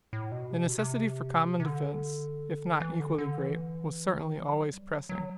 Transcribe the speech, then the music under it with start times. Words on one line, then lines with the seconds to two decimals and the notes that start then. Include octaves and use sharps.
The necessity for common defense, if not equally great, was certainly always pressing.
0.13 A2
0.32 B2
0.51 C3
0.65 B2
0.78 C3
1.60 C3
1.66 D3
2.80 E3
3.00 D3
3.18 D3
3.38 E3
4.52 F#3
4.71 G3
4.90 F#3
5.09 F#3